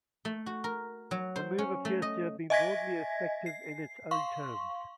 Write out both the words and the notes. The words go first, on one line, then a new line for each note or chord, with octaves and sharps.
The move appears to have been broadly effective in its own terms.
A3
F#4
A#4
F#3
C5
C#4
A3
D#5
D#5 E5 G#5 G#6 A#6 B6
C7
F5 C6 C#6